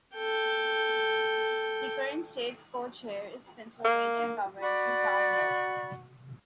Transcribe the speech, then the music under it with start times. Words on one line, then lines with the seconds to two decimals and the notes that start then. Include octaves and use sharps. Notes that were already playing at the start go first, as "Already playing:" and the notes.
The current States' Co-Chair is Pennsylvania Governor Tom Wolf.
0.16 A4 G5
3.84 A#3
4.62 F#4 D5 B5